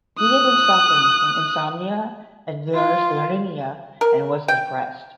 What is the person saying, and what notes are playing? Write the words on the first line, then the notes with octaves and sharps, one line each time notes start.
He had been suffering from insomnia and neurasthenia and was depressed.
D#6 F#6
F4
A#4
G5